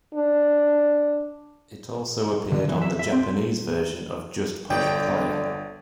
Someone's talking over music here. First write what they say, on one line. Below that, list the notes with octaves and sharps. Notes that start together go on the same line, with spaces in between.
It also appeared on the Japanese version of "Just Push Play".
D4
D3
E3
E5
E5
C4
G1 D3 D4 D5 G5